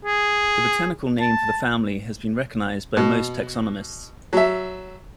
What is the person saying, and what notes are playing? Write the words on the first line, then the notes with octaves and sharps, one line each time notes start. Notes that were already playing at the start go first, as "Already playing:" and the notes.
The botanical name for the family has been recognized by most taxonomists.
G#4
A5
B2
F#3 E5